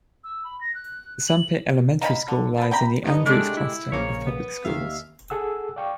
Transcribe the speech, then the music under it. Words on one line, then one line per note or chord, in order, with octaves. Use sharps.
Sampit Elementary School lies in the Andrews cluster of public schools.
E6
B5
A#6
F#6
F#7
D#4 F5 G5 B5
D3
F3 B3
C3 G5 A#5 B5
G2 B3 D#4
G#3 A3 D4 G4
E4
A#1 C#3 A#3 C#5
B3
D#2 E5 F5
G#4 A4 F#5 E6
D5 F5 G5 C#6